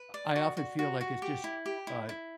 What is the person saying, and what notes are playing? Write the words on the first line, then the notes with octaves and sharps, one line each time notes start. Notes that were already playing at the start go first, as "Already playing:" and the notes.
I often feel like it's just, uh,
Already playing: B4
D5
F#4
F#4
F#4
F#4
G4
E4
G4
E4
E4